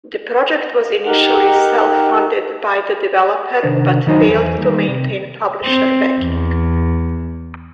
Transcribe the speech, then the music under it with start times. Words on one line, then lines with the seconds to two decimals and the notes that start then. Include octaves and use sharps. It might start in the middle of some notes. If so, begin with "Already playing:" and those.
The project was initially self-funded by the developer but failed to maintain publisher backing.
1.06 D#4 G4 A#4 F#5
3.63 C3 D#3 D4 A#4 C5
4.07 D#3 F#3 D#4 C5 G#5
4.28 E2 B4 C5 G#5
4.58 D#3 G3 A#3
4.88 C3
5.64 C4
6.20 E2